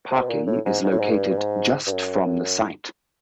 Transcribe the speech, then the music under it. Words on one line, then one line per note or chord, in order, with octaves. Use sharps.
Parking is located just from the site.
C3
B2
A#2
A2
G#2
G#2
A2
G#2
G2
G2
G#2
G2
F#2